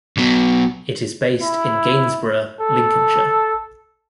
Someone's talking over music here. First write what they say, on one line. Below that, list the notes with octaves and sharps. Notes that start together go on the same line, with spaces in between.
It is based in Gainsborough, Lincolnshire.
B1 B2
E4
A4